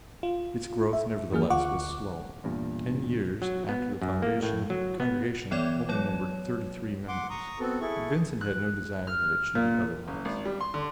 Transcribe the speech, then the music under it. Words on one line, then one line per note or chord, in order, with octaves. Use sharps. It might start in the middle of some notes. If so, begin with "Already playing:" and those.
Its growth, nevertheless, was slow; ten years after the foundation the Congregation only numbered thirty-three members; but Vincent had no desire that it should be otherwise.
F4
E5
D#2 E3 A#3 G#4 F6
D2 F4 F#5 C#6 D6 F#6
E2 G2 A#2
F#3
B3
F#2
A#3
A2
F#3
B3
E3 B3 C#5 D5 D6 G#6
F#3 C#5
F#5 C6 D6
A#5 C#6 D#6
B3 C4 F#4 A4
E4 G#4 A4 C#6
F#6
F6
A#2
F#1
G#1
G3
C6
D3